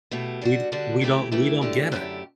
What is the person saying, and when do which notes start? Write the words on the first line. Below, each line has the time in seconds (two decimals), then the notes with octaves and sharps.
we d we don't we don't get it.
0.11 B2 A3 E4 G4
0.41 D3 G3 D4 F#4
0.72 D3 G3 D4 F#4
1.01 C#3 E3 A3 E4 G4
1.32 C#3 E3 A3 E4 G4
1.61 F#2 D3 A3 E4 G4
1.92 F#2 D3 A3 E4 G4